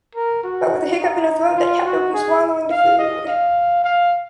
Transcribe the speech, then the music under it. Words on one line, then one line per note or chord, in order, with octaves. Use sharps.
But with a hiccup in her throat that kept her from swallowing the food.
A#4
F#4
D#4
F4
F#4
G#4
F5
D#5
F5
F5